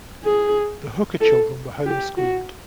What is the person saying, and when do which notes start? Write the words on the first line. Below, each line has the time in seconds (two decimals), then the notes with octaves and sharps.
The Hooker children were home-schooled.
0.24 G#4
1.20 A4
1.86 G4
2.17 F#4